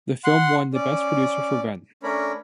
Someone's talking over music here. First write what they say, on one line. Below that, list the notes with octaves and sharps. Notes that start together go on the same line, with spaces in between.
The film won the Best Producer for Ven.
F#5 C6
C#4 D5
A3 C#4 D4 A#4 C#5 B5